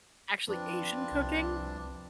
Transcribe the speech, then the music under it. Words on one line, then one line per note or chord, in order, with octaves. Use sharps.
actually Asian cooking?
F2 C4 D4 F4 B4
C2